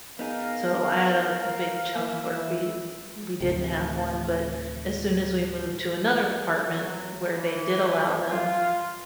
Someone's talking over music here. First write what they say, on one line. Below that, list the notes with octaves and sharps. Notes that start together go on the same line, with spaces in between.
So I had a big chunk where we we didn't have one, but as soon as we moved to another apartment where they did allow them,
B3 D#4 G#4 A#4 F5
E3 A#3 C4 E4 E5
D2 A2 C3
F#3
E3
F4